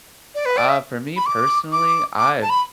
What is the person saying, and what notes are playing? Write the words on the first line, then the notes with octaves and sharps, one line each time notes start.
Uh, for me personally, I
D5
B4
D5
E5
B5
D6
D6
D6
A5
B5